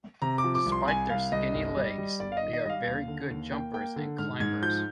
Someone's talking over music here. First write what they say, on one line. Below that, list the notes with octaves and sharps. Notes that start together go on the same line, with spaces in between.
Despite their skinny legs, they are very good jumpers and climbers.
C3 A#5
D6
F3
D6
C2
C6
C2 G#5
C2 F5
C2 D#5
G1
G3
G3
G1 D5
F5
D#5
D#3
D#5
G3 D#5 F5
D#2
D3
D#2
A#3 G5
A#3 G5
D3
G#2 F6
G#2 G#6
F3 G6